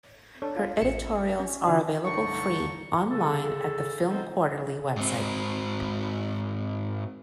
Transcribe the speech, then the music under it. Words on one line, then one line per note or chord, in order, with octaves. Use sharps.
Her editorials are available free online at the "Film Quarterly" website.
D4 A4 C#5
F4
A1 C#7 E7
C#4
D3 F4 D5
C2 G2 D3 D4 D#4 C#6
C#3 A4
F3 B3 C4 D#4 A4 C5
G#2 C4